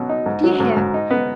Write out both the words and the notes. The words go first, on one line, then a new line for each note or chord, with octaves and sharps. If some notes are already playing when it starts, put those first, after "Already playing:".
Do you hear?
Already playing: B2 F#3
D#4
G#2
F#3
G#2
G#2
D#4
B3